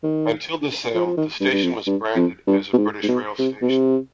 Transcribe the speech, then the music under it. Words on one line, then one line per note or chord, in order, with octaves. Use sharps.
Until the sale, the station was branded as a British Rail station.
D#3
F3
F3
D#3
G2
G2
F2
G2
F2
G2
B2
G#2
G#2
B2
C3
B2
C3